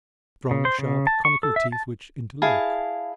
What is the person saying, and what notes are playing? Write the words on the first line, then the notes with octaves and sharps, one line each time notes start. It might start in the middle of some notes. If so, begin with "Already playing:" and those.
Strong sharp conical teeth which interlock.
C#3
C5
C#3
A5
C#6
A4
E5
A5
E4 G#4 F5 A5